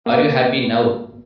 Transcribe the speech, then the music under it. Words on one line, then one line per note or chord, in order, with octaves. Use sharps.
Are You Happy Now?
A#3